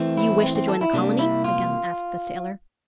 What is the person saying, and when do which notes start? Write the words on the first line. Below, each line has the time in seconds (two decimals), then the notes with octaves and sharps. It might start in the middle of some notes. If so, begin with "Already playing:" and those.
"You wish to join the colony?" again asked the sailor.
Already playing: E3 A3 C4
0.18 E4
0.43 C4
0.56 C4
0.68 A4
0.81 E4
0.94 C3 G3 A#3 D4
1.19 E4
1.44 F4